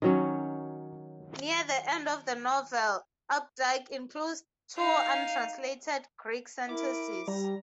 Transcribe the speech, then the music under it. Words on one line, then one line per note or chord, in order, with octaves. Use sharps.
Near the end of the novel, Updike includes two untranslated Greek sentences.
D#3 F#3 C#4
D#4 F5
E4 A#4 D6
G3 A#5